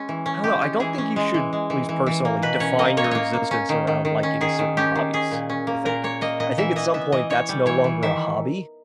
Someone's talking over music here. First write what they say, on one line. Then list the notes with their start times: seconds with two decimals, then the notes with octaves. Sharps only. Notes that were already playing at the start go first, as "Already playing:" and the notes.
I don't know, I don't think you should at least personally define your existence around liking certain hobbies, I think I think at some point, that's no longer a hobby,
Already playing: G#3 C#4
0.09 E3
0.26 C#4
0.44 G#3 G4
0.62 C#4
0.80 E3 G#4
0.98 C#4
1.16 G#3
1.34 E3
1.53 G#3
1.70 E3
1.89 E3
2.06 E3
2.25 A#3
2.42 B2 B4
2.60 C#4 C#5
2.79 A#3 D#5
2.97 A#3 C#5
3.04 D#5
3.11 A#3 C#5
3.34 A#3
3.51 C#4
3.69 D#3
3.87 D#3
4.05 D#3
4.23 C#4
4.41 D#3 G#4
4.59 D#3
4.77 C#4 G4
4.95 D#3
5.13 C#4 G#4
5.31 A#2
5.49 C#4
5.67 A#3
5.86 A#2 A#4
6.04 A#3 C#5
6.21 A#3 D#5
6.40 A#2 D#5
6.58 E3 E5
6.76 E3 D#5
6.94 B3 E5
7.12 E3 D#5
7.30 E3 C#5
7.49 G3
7.66 E3 C#5
7.84 E3
8.03 D#3 E5